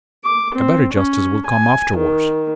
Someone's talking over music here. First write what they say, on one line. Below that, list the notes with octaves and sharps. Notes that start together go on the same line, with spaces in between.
A better justice will come afterwards.
D6
C4
C#4
G#5
D#3